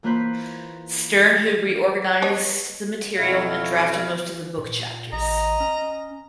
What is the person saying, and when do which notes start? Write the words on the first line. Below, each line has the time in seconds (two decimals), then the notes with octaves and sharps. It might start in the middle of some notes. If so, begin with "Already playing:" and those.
Stern who reorganized the material and drafted most of the book chapters.
0.03 E3 A#3 F4 B4 C5 B5
2.22 B4 C#5 D#5
3.18 F2 B2 E4 C#5 F5
4.58 A#2
5.12 A1 D#5 A#5
5.60 C#4